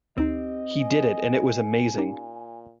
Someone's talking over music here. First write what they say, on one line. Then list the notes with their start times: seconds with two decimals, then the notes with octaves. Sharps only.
He did and it was amazing!
0.18 D2 C4 D#4 G4 D#5 C7
0.80 G#5
1.97 A#2 C#4 D#4 G4